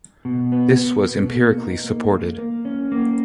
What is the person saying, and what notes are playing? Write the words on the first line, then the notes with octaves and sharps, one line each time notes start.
This was empirically supported.
B2
B3
B3
B2
A#3
D#4
A#3
A#3
A#3
C#4
A#3